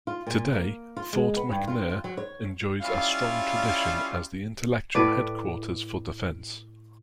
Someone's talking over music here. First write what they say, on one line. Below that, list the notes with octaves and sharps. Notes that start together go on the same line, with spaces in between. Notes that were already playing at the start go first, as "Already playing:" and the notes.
Today, Fort McNair enjoys a strong tradition as the intellectual headquarters for defense.
F4
A#2
A#3
F4
G#3
B3
G2
F4
F4
F#3
C#5
G3 C#4 E4 F4 D5 F5
A2 B4 D5